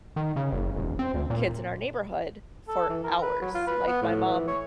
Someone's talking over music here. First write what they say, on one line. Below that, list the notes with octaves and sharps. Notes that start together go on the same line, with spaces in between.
kids in our neighborhood for hours, like, my mom
D#3
C#3
F#1
E1
C4
D2
A#2
A4
E3
A#4
B4
F#3
F4
B4
B3
A2
E3
C#5